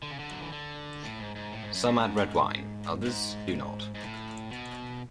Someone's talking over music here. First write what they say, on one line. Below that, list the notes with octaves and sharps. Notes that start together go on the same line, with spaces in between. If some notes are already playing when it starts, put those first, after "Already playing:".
Some add red wine, others do not.
D3
C#3
D3
F#3
E3
D3
A2
G#2
G#2
A2
G#2
F#2
G#2
G#2
G#2
A2
B2